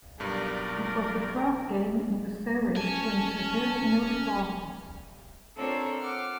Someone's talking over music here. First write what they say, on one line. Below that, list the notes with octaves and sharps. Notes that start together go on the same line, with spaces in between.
It was the first game in the series to introduce new Forces.
B1 G2 A#4 D5
C#4 G#5 A5
C4 D4 F4 A4 A#4 C#5
F#5 D6 F6